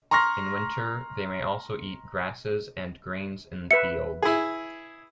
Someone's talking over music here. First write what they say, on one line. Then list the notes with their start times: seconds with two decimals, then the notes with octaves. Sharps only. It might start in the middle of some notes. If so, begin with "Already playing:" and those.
In winter, they may also eat grasses and grains in fields.
0.11 A#5 C6 C#6 F6 A#6
3.71 B4 E5 C#7
4.22 E4 G#4